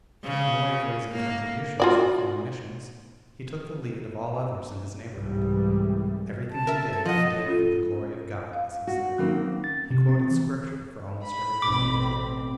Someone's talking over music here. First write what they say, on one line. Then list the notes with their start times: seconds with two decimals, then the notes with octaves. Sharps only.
In the way of raising contributions for foreign missions, he took the lead of all others in his neighbourhood. Everything he did, he did for the "glory of God," as he said: he quoted Scripture for almost everything he did.
0.24 C#3
1.11 A#3
1.80 F4 F#4 D5
5.10 C2 G#2 E3 G3
6.51 A5
6.67 A#4 E5
6.93 A4 G#6
7.06 F3 D#5 F#5
7.46 C#4 F4 A4
8.53 F5
8.87 F#4
9.18 D#3 F#3 A#3 C4 C#4 D#4
9.64 A6
9.91 C3
10.09 C4
10.31 E3
11.23 B5
11.62 A1 B2 C4 D6